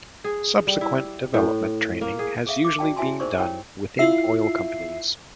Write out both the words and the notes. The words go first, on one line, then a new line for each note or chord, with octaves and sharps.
Subsequent development training has usually been done within oil companies.
G#4
G3
E4
A2
A#3
G#4
G#4 A4 E5 F5
D6
F#4 D5 G5 A5
E4 F#4 E5 G#5 A5 C6
D#4 G#4 A#4 C5 D5 C#6
E4 G4 A#4 C#5 G5
E4 F4 E5 C7